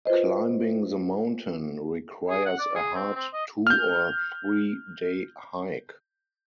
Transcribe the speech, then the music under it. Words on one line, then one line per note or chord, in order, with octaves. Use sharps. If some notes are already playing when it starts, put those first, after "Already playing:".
Climbing the mountain requires a hard two- or three-day hike.
F4 B4 C5 D#5
G#4
F#5
D5
G#4
C4
C4
D#5
F6 G6